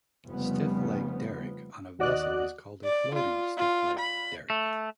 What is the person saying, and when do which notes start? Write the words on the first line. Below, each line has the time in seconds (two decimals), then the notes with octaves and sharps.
Stiffleg derrick on a vessel is called a floating stiffleg derrick.
0.25 F1 C#3 F3 G3 B3
1.99 D#2 F#4 D5 D#5 F#6
2.84 D5
3.15 F4
3.58 F4
4.00 B5
4.50 A3